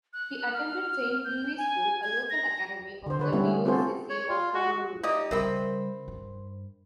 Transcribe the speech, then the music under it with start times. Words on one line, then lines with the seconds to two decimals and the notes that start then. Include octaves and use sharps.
He attended Saint Louis School, a local academy of the Diocese of Honolulu.
0.13 F#6
0.54 F6
1.25 G6
1.58 G#5
2.03 G#6
2.30 A#6
3.06 D3 C5
3.19 D3 B4 C#5
3.33 G3 B3 C#4 E4
3.47 A3
3.65 C4 F4 F#4 G#4 A4 C5
4.10 C#5
4.30 F4
4.54 F#4
5.03 D#4 G4 D5 E5 F5 D#6
5.31 C#3 G3 G#4 A#4 C5 E5 G5 B5
6.08 G2